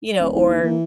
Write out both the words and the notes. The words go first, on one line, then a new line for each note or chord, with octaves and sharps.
You know, or,
D#1
D#1 E4
D#2
E3 A#3